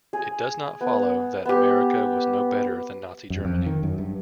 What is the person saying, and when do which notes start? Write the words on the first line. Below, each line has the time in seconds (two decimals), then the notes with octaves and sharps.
It does not follow that America was no better than Nazi Germany.
0.13 G#4
0.81 B3
1.45 B3 G4
3.30 F#2
3.44 F2
3.66 D#3
3.83 F#2
3.98 G2